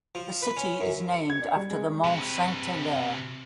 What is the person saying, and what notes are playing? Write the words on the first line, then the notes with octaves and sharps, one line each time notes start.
The city is named after the Mont Saint-Hilaire.
F3
B4
C#4
F#2
C#7
G#6
D4
G3
G#3
C3 B4